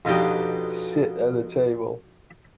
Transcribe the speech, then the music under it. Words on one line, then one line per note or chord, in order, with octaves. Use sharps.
Sit at the table.
F2 B2 D4 D#4 G4